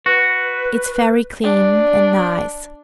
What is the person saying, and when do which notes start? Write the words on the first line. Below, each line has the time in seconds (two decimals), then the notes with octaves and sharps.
"It's very clean and nice."
0.06 F#4 B4
1.44 D4